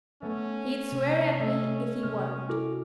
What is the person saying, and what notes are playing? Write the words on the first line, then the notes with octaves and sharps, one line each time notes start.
'He'd swear at me if he weren't.
A3 B3 C#4
C3
A3 D#5 E6
C3 F6
E4 F#4 A4 A#4 D6 F6